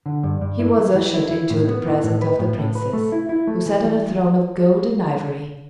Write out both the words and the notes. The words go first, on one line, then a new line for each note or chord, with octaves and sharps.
He was ushered into the presence of the Princess, who sat on a throne of gold and ivory.
D3
G2
G2
E4
E3
E3
E4
E4
A2
B3
E3
A2
B4
A2
A2
B4
A3
E4
E4
A3
E3
G3